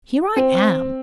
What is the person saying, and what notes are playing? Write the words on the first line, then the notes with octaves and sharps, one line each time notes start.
Here I am.'
C4